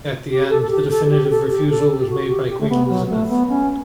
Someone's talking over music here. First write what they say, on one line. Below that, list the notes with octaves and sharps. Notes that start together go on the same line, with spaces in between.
At the end, the definitive refusal was made by Queen Elizabeth.
G4
A4
A4
G4
A4
A4
G4
A4
G4
A4
G4
F#4
G4
G4
A3
B3
F#3
A3
B3
C#4